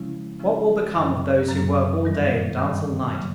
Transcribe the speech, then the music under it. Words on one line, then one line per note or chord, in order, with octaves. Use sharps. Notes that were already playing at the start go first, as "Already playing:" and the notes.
What will become of those who work all day and dance all night?
Already playing: C#3 F3 G#3 C#4 E4
C#3 F3 G#3 C#4 E4
F#2 C#3 F#3
F#2 C#3 F#3
G2 D#3 G3
G2 D#3 G3
C#3 F#3 A#3